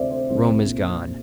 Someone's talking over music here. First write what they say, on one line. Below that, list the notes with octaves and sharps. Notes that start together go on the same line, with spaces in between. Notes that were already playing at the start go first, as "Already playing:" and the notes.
Rome is gone.
Already playing: D2 C3 C5 D5 E5
C5
C2 C5
A#2